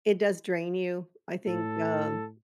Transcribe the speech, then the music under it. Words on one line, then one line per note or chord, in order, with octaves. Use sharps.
It does drain you, I think, um,
A2 A4